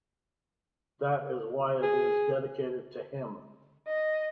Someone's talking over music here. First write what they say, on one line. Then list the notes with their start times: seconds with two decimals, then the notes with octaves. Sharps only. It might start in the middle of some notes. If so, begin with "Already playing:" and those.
That is why it is dedicated to him.
1.83 G#4
3.87 D#5